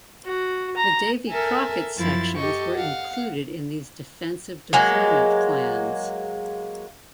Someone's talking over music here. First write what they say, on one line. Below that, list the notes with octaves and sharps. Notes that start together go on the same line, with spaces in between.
The Davy Crockett sections were included in these defensive deployment plans.
F#4
A#5
A4 A#4 E5 G#5
F#2 F3 E4 A6
G4 A4 D#5 C#6
F5 F#5
F#3 G#3 A#3